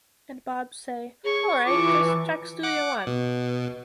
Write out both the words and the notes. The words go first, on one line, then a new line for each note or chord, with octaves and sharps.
And Bob say, 'All right, just check Studio One.
G#4 C#5 C#6
E3 F4 A5 C#6 D6
F#5 D6
B2